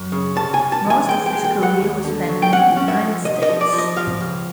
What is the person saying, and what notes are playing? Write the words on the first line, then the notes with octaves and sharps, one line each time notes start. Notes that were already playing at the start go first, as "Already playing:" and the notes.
Most of his career was spent in the United States.
Already playing: F#2
C#3
C2 A5
G#5
C2
A5
E3
G#5
G#3 G5
G5
G#3
G5
E2
F#5
D#2
D3
F#3
G5
C#4 F#5
C#4
E5
F3
C3 D#5
D#5
F3
D5
F3
D#5
F3 F5
C#2